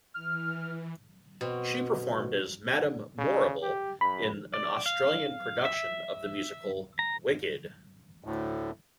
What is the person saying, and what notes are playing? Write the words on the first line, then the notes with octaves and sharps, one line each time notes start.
She performed as Madame Morrible in an Australian production of the musical "Wicked".
E3 F6
B2 C4
C#3
G4
F#2 B5
D5
F5
E5
A#5
D2 A2